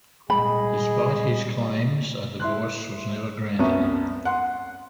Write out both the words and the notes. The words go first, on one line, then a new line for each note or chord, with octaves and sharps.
Despite his claims, a divorce was never granted.
A#2 G3 G#3 G#4 D#5 B5
E4 C6 F#6
C2 F#2 B3 E5 A5 C#6
F#5 C6